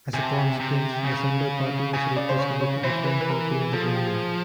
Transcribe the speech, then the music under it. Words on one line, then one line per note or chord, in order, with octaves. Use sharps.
As a consequence, the Centre party was replaced with Reform Party in the government.
C3 G#5
A5
G#5
C3
C#3
C#3 G#5
D5
C5
C#5
C#5
E3 C5
B4
B4
A#4
G#4
F3 A4
G#4
G4
G#4